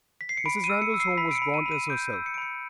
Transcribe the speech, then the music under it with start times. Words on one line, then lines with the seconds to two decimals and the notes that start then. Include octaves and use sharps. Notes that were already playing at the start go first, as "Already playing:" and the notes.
Mrs. Randal's home was gaunt as herself.
0.21 B6
0.29 C7
0.37 C#7
0.46 B5 D7
0.64 D#7
0.70 E6
0.82 C#7
0.94 E6
1.00 C7
1.17 B5 B6
1.31 D7
1.35 C#7
1.42 B5
1.54 D#7
1.66 B5
1.72 D#7
1.90 G6 D7
2.14 E6
2.26 C#7
2.34 D7
2.38 B5 C#7